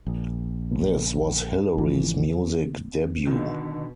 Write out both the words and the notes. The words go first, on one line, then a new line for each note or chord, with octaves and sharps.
This was Hilary's music debut.
A#1
G#1 E3 F3
B2 D3 D#3